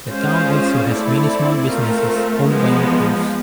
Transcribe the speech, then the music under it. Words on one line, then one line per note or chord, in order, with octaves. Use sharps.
The town also has many small businesses owned by locals.
G#3 C#4 F4 G#4 C5
A3 C4 E4 A4 D5
A3 C4 F4 A#4
F3 G#3 B3